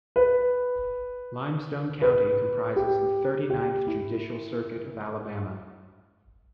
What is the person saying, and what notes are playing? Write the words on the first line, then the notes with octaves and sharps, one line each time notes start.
Limestone County comprises the Thirty-Ninth Judicial Circuit of Alabama.
B4
B4
G4
G4
E4